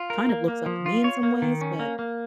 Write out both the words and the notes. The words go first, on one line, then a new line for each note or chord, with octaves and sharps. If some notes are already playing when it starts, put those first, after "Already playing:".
kind of looks up to me in some ways, but
Already playing: F4
A#4
A#3
A#3
F3
F4
C#5
A#3
D#3
C#4
A#3
A#3